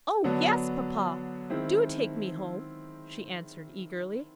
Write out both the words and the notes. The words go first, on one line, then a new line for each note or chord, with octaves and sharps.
"Oh, yes, papa, do take me home," she answered eagerly.
D3 F#3 B3 D4
D#3 G#3 C4 E4